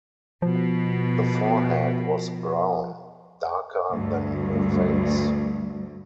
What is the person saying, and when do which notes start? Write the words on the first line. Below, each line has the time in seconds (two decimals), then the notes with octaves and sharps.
The forehead was brown, darker than the face.
0.42 B2 F3
3.91 D2 G2